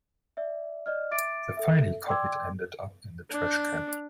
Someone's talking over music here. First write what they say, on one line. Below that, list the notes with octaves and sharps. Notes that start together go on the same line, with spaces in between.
The file he copied ended up in the trash can.
D5 E5
D5 D#5 F6
E5 D6 A6 D7
A4 E5
D5 G5 C6 D6 E6 G#6
D4